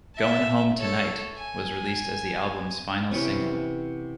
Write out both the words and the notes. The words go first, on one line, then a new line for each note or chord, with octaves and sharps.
"Goin' Home Tonight" was released as the album's final single.
E5 A5
A4 C#5
G#5
C3 E3 B3 C#4